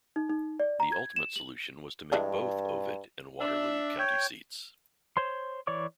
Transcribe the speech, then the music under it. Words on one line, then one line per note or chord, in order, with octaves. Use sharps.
The ultimate solution was to make both Ovid and Waterloo county seats.
D#4
D#4
D5
A#5
G#6
E7
F#7
G2 E3 G#3 D4
D4 E5
C#5 G5
C5 C#5 C6
E3 C#5 D5 C#6 D6